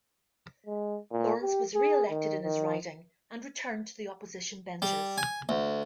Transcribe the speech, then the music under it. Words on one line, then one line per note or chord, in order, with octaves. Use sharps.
Lawrence was re-elected in his riding, and returned to the Opposition benches.
G#3
A#2
G4
G#4
D#3
D#3
G3
G#5
D2